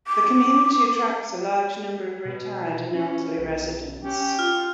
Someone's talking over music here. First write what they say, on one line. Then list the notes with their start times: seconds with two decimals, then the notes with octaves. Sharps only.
The community attracts a large number of retired and elderly residents.
0.07 D6
2.25 B2
2.94 C#4
3.39 B1
4.04 C#4 G4
4.39 F4 F6